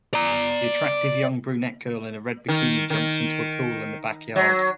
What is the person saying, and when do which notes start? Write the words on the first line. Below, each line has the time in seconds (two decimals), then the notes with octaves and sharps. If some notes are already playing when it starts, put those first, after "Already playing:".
The attractive young brunette girl in a red bikini jumps into a pool in the backyard.
0.14 D5 A#5
2.48 D#3
2.90 D#3
4.36 F#3